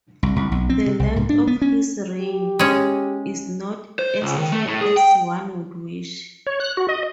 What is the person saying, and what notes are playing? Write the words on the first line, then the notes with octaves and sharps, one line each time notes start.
The length of his reign is not as clear as one would wish.
C2
C2
B1
C4
C3
C2
G#2
D4
B3
C#4
G4
G#3 C#4
C5
C#2
D#3
A3
A2
G#4
G5
C#5
F#6
F#4
D#5